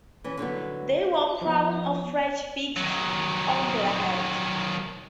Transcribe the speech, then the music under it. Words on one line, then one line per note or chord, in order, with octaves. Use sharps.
They wore crowns of fresh figs on their heads.
E3 C#4
D3 F#3 G3 B3
F3 B3
D#3 F#3